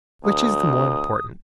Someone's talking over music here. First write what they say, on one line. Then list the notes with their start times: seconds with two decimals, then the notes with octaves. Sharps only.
Which is the more important?
0.25 D2 D#6